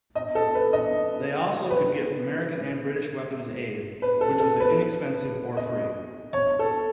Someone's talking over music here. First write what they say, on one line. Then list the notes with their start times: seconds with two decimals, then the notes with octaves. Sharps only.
They also could get American and British weapons aid, which was inexpensive or free.
0.15 D#5
0.35 A4
0.55 B4
0.73 D#5
1.70 B4
4.02 B4
4.21 A4
4.40 A4
4.60 B4
5.57 D#5
6.33 C#5
6.59 A4